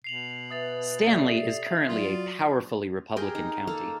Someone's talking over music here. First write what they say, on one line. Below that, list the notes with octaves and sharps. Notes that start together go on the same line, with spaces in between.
Stanly is currently a powerfully Republican county.
B2 C7 F7 F#7
B4 E5 D#6 A6 F7
G4 A4 D5 E5
D#6
F#3 F4 D5
F#4
G4 G#4 A#4 G5
D#4
A#3 A4 F5